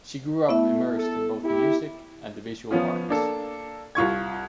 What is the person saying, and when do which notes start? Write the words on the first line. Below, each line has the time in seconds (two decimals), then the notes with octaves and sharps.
She grew up immersed in both music and the visual arts.
0.49 A3 B3 E4 E5
0.97 A4
1.44 E4 G4
2.71 F3 B3 C#4 F4
3.09 A#3 D4 A4
3.95 C2 F4 C#6 G#6